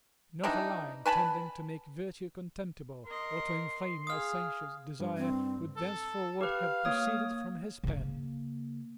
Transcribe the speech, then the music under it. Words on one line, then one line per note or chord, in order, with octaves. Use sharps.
Not a line tending to make virtue contemptible, or to inflame licentious desire, would thenceforward have proceeded from his pen.
E3 G3 D4 D#4
B4 G#5 A5 B5
A#4 D#5 C6
G#4 F5 D#6 F6
G2
C4
A4
G4 B4 F5
A#3 C#5 D#6
C#3 A#3